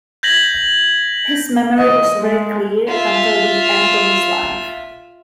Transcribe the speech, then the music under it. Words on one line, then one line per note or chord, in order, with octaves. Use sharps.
His memory was very clear until the end of his life.
G6 G#6 A#6 B6 F#7
D#5
G#3
F4 E5